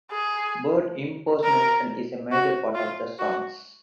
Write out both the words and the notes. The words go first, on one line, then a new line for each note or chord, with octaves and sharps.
Bird impersonation is a major part of the songs.
G#4
A#4
F#4
F4
F#4